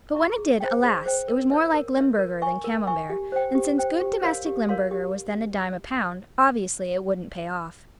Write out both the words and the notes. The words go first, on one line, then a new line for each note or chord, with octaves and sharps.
But when it did, alas, it was more like Limburger than Camembert, and since good domestic Limburger was then a dime a pound, obviously it wouldn't pay off.
E5 A#5 C#6
G#4
C5 G5
G#4
C5 G5
A#4
C#5 E5
A#4
C#5 E5
A#4
E5 G#5 C#6
A#4
E5 G#5 C#6
G4
C5 G5
G4
C5 G5
G4
A#4 C#5 F5 C6
G4
A#4 C#5 F5 C6
G4